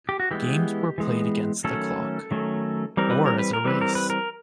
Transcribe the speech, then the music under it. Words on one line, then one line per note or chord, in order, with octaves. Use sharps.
Games were played against the clock, or as a race.
G4
F#4
E3 G#3 B3 G4
E3 G#3 B3
D#3 F#3 A3 C#4 A4
D#3 F#3 A3 C#4
E3 G3 C4 A#4
B4
A#4
B4
A#4
E3 G3 C4 B4
A#4
B4
A#4